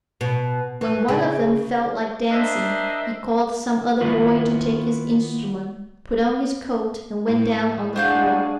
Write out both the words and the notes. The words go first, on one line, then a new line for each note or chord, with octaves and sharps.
When one of them felt like dancing, he called some other boy to take his instrument, put on his coat, and went down on the floor.
B2
E3
C#3
D4 A#4 C5 D#5 E5
D#3 A#3 B3 E4 F4
A2
D4 F#4 G#4 C5 F5 G6